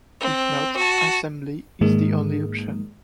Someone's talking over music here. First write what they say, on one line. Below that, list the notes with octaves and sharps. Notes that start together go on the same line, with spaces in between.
If not, assembly is the only option.
C4
F#4 A5
G#2 D#3 G#3 A#3